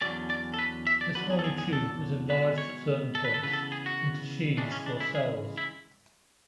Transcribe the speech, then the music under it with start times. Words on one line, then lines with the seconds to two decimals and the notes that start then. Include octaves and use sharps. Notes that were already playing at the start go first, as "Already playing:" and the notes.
This horny tube is enlarged at certain points into sheaths or cells.
0.01 E2 D3 F#3 A3 C#4 D5
0.30 D5
0.54 A4
0.59 B4
0.87 E5
1.01 D5
1.15 E2 D3 F#3 B4
1.30 G#4
1.39 A4
1.44 G#4
1.58 G#4
1.73 A4
2.29 B2 G#3 B3 B4
2.58 C#5
3.15 A4
3.25 B4
3.34 A4
3.43 C#3 E3 B3 B4
3.53 A4
3.72 G#4
3.86 F#4
4.57 C#3 E3 G#3 D4
4.72 C#4
4.86 D4
5.00 E4
5.15 G#4
5.58 E4